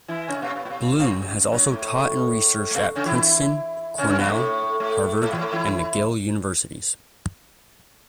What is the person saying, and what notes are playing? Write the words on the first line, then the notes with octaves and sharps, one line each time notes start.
Bloom has also taught and researched at Princeton, Cornell, Harvard, and McGill Universities.
E3 E4
C#3 C#4
B2 B3
C#4
B2 B3
A2
B2
B2
C#3
F#2 F#3
A2 A3
A3
B2 B3
C#3 C#4
E3 E4
C#3 C#4
C#3 C#4
B2 B3
F#3
A2 A3
A2 A3
A2 A3
E2 E3
A2 A3
E3 E4